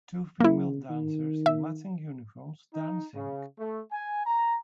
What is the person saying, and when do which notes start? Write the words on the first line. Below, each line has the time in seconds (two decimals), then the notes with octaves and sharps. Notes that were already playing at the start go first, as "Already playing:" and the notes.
Two female dancers in matching uniforms dancing.
0.40 C#3 A#3 E4
0.90 D#3
1.46 E5
2.74 D#4
3.15 C#3
3.58 A3
3.92 G#5
4.26 A#5